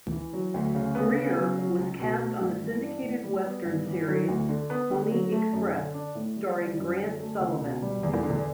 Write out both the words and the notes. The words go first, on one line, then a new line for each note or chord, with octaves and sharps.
Greer was cast on the syndicated western series "Pony Express", starring Grant Sullivan.
E3
F#3
D2
C#3
B3
C#3
F#3
F#3
C#2
B2
A3
G2
E3
D4
A2
G3
B3
G2
E3
F#3
D2
D3
B3
D3
F#3
A3
F#2
D3
D4
A2
G3
G3
F#2
D3
A3
C#2
B2
G3
E2
D3